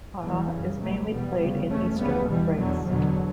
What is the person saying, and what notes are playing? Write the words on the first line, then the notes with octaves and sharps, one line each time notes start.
Hora is mainly played in Eastern Thrace.
E2 B2 E3 G3
F#2 C#3
C#2 B2 F#3 A3
E2 B2 G3 B3
D2 C#3
E2 B2 A3 C#4
D2 C#3 G3 B3
E2 B2 E3 G3
E2 B2 D3 F#3
E2 B2 D3 F#3